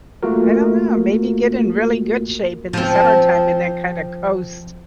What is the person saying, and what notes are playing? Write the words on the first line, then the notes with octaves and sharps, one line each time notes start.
I dunno. Maybe get in really good shape in the summertime and then kinda coast
A3 A#3 F4 F#4 A#4
F3 C4